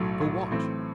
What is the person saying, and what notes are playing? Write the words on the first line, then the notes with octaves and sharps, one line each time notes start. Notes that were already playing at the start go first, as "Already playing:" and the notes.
For what?
Already playing: B1 A2 F#3
B1 A2 F#3
A2 E3 A3 C4